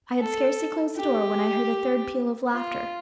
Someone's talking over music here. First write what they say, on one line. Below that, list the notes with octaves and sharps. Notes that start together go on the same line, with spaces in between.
I had scarcely closed the door when I heard a third peal of laughter.
A4
G4
F4